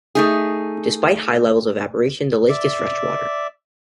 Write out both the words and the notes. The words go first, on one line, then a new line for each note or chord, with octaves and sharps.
Despite high levels of evaporation, the lake is fresh water.
A3 D#4 G#4
D5 E5